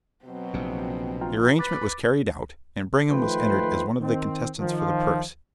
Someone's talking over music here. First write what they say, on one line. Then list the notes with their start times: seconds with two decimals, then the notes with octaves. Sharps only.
The arrangement was carried out, and Brigham was entered as one of the contestants for the purse.
0.25 B2 F#3 C4
0.54 A#1 C3
1.21 F4 G5 A#5
1.59 B4 D6 A6
3.11 D#3 F3 A3 B4 G5 C6
4.01 D#3 C4
4.59 D#3 F3